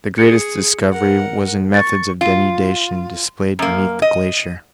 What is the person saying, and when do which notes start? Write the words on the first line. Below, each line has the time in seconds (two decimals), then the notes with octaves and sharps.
The greatest discovery was in methods of denudation displayed beneath the glacier.
0.18 G#4 C#7
0.92 A#4 F#5
1.74 C#6 A6
2.21 F4
3.59 F#2 A#3
4.02 D#5